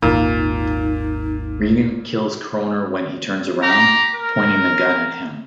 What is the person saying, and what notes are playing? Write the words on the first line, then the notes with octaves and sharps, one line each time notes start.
Regan kills Kroner when he turns around, pointing the gun at him.
G#1 D#2 A#2 D#4
G4 A#5
A#4